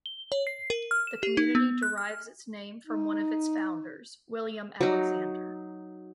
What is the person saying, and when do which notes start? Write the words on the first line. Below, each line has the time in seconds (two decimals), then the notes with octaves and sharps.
The community derives its name from one of its founders, William Alexander.
0.06 G7
0.32 C#5
0.47 C7
0.70 A#4
0.91 F6
1.07 E7
1.23 G4
1.37 D#4
1.55 B3
1.83 F#6
1.98 F6
2.87 D#4
4.81 F#3 D#4